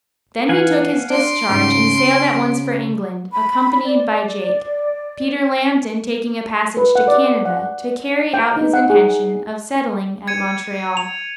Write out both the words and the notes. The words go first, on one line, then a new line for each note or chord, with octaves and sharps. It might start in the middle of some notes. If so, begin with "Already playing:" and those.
Then he took his discharge and sailed at once for England, accompanied by Jake; Peter Lambton taking a passage to Canada to carry out his intention of settling at Montreal.
E3 F5 F#5 G#5
D4 C6 D7
G#2 C#3 F6
C4
B5
D5
B4
F#5
D5
F#5
G5
D#4
F#5
G#4
G#6 C#7 D#7
F7